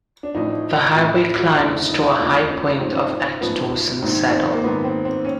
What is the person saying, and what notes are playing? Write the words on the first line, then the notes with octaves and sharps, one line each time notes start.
The highway climbs to a high point of at Dawson Saddle.
D4
A1 A2 F3 D#4
A1 A2 F3 E4
F4
F#4
F1 D#2 C#3 F3 E4
D#4
F1 D#2 C#3 F3 D4
C#4
A1 G#2 F3 C4
C#4
C4
C4
A1 G#2 F3 B3
A#1 G#2 D#3 C4
C4
A#3
A#1 G#2 D#3 B3
C4
C4
C#4